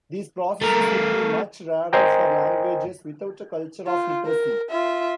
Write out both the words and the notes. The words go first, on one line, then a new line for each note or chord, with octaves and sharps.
These processes would be much rarer for languages without a culture of literacy.
A3 A#4
A#4 C5 D#5 G5 G#5 A#5
F4
A#4
F4 E5